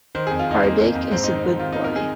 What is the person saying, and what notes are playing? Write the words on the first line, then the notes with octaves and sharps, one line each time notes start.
Hardik is a good boy.
D#3 C5
F2 G#4
F4
F2 D#4
F2 A#3
F2
F2
G#2 C4
D#3 D#4
C4
G#2
D#3 F4
D#3 D#4
A#4
D#3 G#4